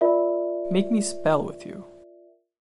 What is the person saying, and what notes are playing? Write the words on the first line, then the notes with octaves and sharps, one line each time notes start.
Make me spell with you.
F4 A#4 D5 E5